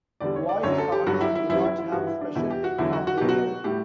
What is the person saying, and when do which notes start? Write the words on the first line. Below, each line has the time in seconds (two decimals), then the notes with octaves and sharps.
Voiced kana do not have special names of their own.
0.20 E2 D3 G3 D5
0.36 C#5
0.49 D5
0.63 F#2 D3 F#3 C#5
0.78 A4
0.92 G4
1.07 G2 F#3 F#4
1.21 E4
1.35 E4
1.49 F#2 E3 G3 E4
1.65 E4
1.78 E4
1.92 G2 E3 G3 F#4
2.07 E4
2.21 D4
2.35 E2 B2 G3 E4
2.50 G4
2.64 F#4
2.78 E2 D3 F#3 E4
2.93 F#4
3.07 F#4
3.18 B2 F#3 G4
3.29 F#4
3.64 A2 G3 G4